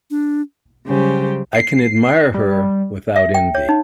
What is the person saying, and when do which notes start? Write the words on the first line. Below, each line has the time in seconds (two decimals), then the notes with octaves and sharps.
I can admire her without envy.
0.10 D4
0.86 C#3 F#3 G3 C#4 G4 C5
1.54 C7
2.34 G3
3.16 E5
3.34 G5
3.55 C#5
3.69 D#4